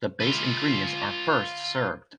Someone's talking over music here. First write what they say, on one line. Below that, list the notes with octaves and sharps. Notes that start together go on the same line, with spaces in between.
The base ingredients are first served.
F4 B4